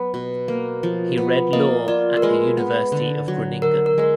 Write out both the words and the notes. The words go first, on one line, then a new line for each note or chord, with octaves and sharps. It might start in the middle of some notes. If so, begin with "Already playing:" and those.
He read law at the University of Groningen.
Already playing: F#3 B3
B2
A#3
F3
B3
A#3 D#5
F4 D5
A#4
G#3 B4
B3
D3
F#3
D3 A#4
A#4
G#3 A#4